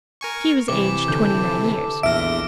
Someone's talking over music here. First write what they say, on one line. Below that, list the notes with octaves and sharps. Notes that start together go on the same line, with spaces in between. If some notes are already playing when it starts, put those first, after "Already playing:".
She was aged twenty-nine years.
A#4 G#5 C#6
C3 E3 D6
D3 A4 G6
A#1 E2 E5 F6 A#6 D7